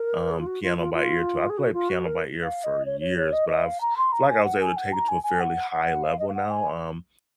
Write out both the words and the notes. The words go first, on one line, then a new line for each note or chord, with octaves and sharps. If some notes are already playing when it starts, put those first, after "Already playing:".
um, piano by ear, too. I've played piano by ear for years, but I've it's like I was able to take it to a fairly high level now, um,
Already playing: A#4
G#4
F4
F#4
F4
F4
F4
G#4
F#4
F4
F#4
A#4
F5
D#5
C#5
C#5
C#5
D#5
D#5
F5
A#5
C6
A#5
G#5
F#5
G#5
F#5
A#5
G#5
G#5
F#5
F#5
F5
D#5
F5
F#5
G#5